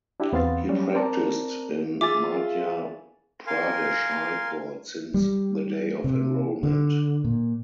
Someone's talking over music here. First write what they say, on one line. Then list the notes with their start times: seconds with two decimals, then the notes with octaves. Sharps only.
He practiced in Madhya Pradesh High Court since the day of enrollment.
0.20 D4 E4 F#4 G4
0.33 E2 B3 C4 F5 C6 A6
0.69 F#3 G3 C#4 D5
0.94 C4 A#4 C5 D5 A5 A#5
2.01 F4 G#4 E5 G#5 D6 A6
3.47 A#4 F5 G#5 C6
5.14 G3
6.04 C3
6.63 D3
7.24 A#2